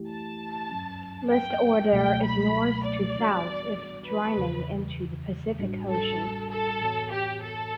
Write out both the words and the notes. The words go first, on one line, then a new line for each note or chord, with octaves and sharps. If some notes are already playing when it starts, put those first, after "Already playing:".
List order is north to south if draining into the Pacific Ocean.
Already playing: E3 A3 E4 G4
A5
G2 F#3 C#4
G5
C#2 B2 F#3 A3 G5
B5
D5
E3 G3 B3 D4 F#4
B4
E2 C#3 E3
A1 A2 G3 D4 F#4
A4
A4
A2 E3 B3 F#4 C#5
G4
A4